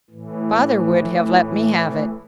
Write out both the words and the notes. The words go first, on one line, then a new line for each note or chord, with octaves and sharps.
Father would have let me have it.
A2 E3